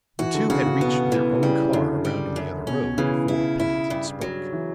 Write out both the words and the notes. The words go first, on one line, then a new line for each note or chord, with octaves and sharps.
The two had reached their own car around on the other road before Pendleton spoke.
E3 F#4
D3
C#3 F#4
C#3
B2 B3
E3
C#3 G3
F#2 D3
G3
F#2
B2 C#4
C#3 E3
E4
E4
G2
F#3
E3